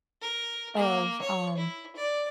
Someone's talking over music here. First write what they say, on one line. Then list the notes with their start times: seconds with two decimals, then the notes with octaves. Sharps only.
of, um
0.21 A#4
0.76 A#3
1.21 C#5
1.57 E4
1.96 D5